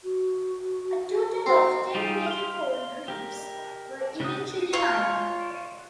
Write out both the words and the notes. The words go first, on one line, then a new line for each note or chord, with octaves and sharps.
A total of ten major gold reefs were eventually mined.
F#4
C4 F#4
G3 D#4 F4 G4 G#4
F5 C6
G4 A#4
C#3 D4 D#4 D#6
F4 C#5